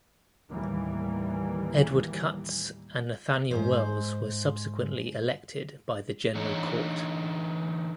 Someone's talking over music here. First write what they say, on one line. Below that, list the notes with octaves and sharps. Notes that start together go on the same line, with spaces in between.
Edward Cutts and Nathaniel Wells were subsequently elected by the General Court.
D#2 A2 E3 G3 A#3
G#2 C5
D3 E3 D#4 C#5